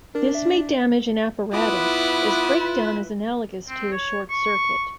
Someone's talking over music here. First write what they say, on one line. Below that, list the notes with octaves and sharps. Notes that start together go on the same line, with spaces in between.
This may damage an apparatus, as breakdown is analogous to a short circuit.
D4 A#4
E5
B3 E4 F4 B4 D6 D#6
C4
C#5
C#6